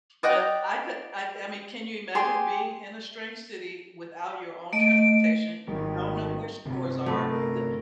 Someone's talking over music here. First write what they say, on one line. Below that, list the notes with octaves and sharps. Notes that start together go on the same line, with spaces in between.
but, I could- I I mean, can you imagine being in a strange city without your own transportation, you don't know where stores are, you do
D5 D#5 F#5 G5
G4 G#4 C6
A3 D#5 D7
G#1 D#3 G3
G1 C3
C4
A3 B4
A#4